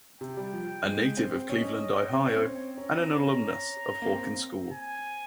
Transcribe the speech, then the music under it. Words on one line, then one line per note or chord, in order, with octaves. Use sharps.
A native of Cleveland, Ohio and an alumnus of Hawken School.
C3 G5
G3
F3
G#3
C4
C#4 D#5
C4 C#5
C#4
C4
C#4 A#5
C4
C#4
A#3
C4
G#5